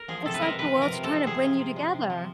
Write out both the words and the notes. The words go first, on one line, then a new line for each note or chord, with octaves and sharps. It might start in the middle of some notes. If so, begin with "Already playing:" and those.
it's like the world's tryna bring you together.
Already playing: A#4
F3 G#4
C3 A4
B4
G#3 A#4
C3 B4
F3
A#4
C3
A4
G#3
C3 G#4
F3
C3
G#3
C3
F3